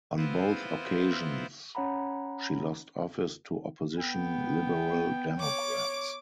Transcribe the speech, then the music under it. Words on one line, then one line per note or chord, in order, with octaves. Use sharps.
On both occasions, she lost office to opposition Liberal Democrats.
B3 C4 E4 F4 B4 C5
C#4 C#5 F#5 A#5 B5
B3 G5
C#5 D6 D7